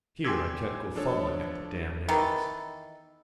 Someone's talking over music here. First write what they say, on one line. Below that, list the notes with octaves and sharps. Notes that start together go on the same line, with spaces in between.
Here, I can't go fumbling at the damned eggs.
G5 G#5 C6 D6 E6 G#6
F3 D4 A4 C#5
D#3 E3 B3 A4